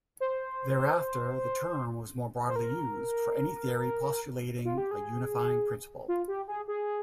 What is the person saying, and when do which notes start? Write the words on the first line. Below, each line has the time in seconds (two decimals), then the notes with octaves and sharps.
Thereafter the term was more broadly used, for any theory postulating a unifying principle.
0.20 C5
2.49 C5
2.56 A#4
4.65 F4
4.78 G4
4.91 G#4
6.08 F4
6.28 G4
6.48 G#4
6.68 G#4